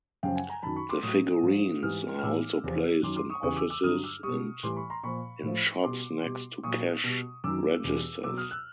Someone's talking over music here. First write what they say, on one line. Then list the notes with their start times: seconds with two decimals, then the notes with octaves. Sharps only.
The figurines are also placed in offices and in shops next to cash registers.
0.23 F#2 C#3 F3 F5 G5
0.36 F#5 G#5
0.50 G#5 A#5
0.63 F#2 D#3 F#3 A5 B5
0.76 B5 C#6
0.89 C6 D6
1.03 A2 F#3 C#6 D#6
1.42 G#2 F3
1.83 G#2 E3 G3 D#6 F6
2.19 F6
2.23 A2 E3 G3 D6 E6
2.64 E2 C3 F3
3.03 F#2 D#3 F#3 C6 D6
3.16 C6 D6
3.30 C#6 D#6
3.43 E2 C#3 E3 G3 C#6 D#6
3.56 D6 E6
3.70 D6 E6
3.83 G2 D3 F#3 D#6 F6
4.03 D6 E6
4.23 B2 G3 C#6 D#6
4.63 A2 E3 G3 C6 D6
4.76 B5 C#6
4.90 A#5 C6
5.03 A#2 F3 B5 C#6
5.43 A2 F3
5.83 B2 G3 C6 D6
6.24 B2 G3
6.63 A#2 F#3 C#6 D#6
7.04 B2 G3
7.44 F#2 D#3 F#3 D6 E6
7.84 E2 B2 G3
8.24 B2 F#3 D6 E6
8.37 D#6 F6
8.51 E6 F#6